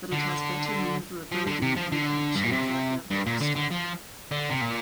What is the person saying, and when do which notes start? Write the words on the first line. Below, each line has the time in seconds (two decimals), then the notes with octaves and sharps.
But it has better maneuverability and can achieve that level of stealth.
0.12 D3
1.32 F3
1.47 D3
1.62 C3
1.77 F3
1.92 D3
2.35 G2
2.43 A#2
2.52 C3
3.11 G2
3.27 A#2
3.41 D3
3.56 D3
3.71 F3
4.31 D3
4.50 C3
4.61 A#2